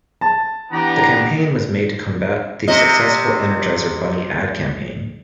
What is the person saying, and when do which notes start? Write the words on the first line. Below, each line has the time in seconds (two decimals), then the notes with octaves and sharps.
The campaign was made to combat the successful Energizer Bunny ad campaign.
0.21 A5
0.72 E3 B3 D4 G4 A#5
2.68 C3 D#5